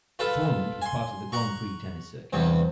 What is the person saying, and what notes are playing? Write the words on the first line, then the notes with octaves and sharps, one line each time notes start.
The tournament was part of the Grand Prix tennis circuit.
F4 A4 B4
G#5 C6
F#5 A#5 C#6
E2 G2 C3